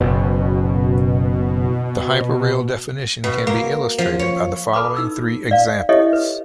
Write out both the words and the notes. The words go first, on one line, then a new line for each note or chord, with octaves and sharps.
The hyperreal definition can be illustrated by the following three examples.
F#1 B2
B2
A#3
F3
C#5
A4 B4 A5 B5 D6
D#4 E6
D5 F5
E4 G4 A4 C#5 D#5 E5
B4